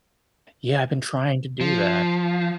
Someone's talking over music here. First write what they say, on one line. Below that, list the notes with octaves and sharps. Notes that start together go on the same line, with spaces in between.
Yeah, I've been trying to do that.
F3